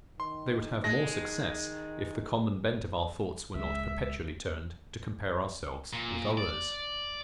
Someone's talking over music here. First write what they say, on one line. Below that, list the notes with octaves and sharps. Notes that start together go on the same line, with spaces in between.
They would have more success, if the common bent of our thoughts were not perpetually turned to compare ourselves with others.
D#3 C6
G#3 A#6
C#2 G#3 E5
A#2
D5